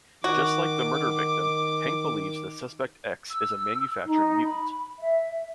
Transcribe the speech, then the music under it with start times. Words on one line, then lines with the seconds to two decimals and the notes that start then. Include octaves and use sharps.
Just like the murder victim, Hank believes that Suspect X is a manufactured mutant.
0.24 D#3 F#4 D6
3.28 E6
4.04 D#4
4.44 B5
4.98 E5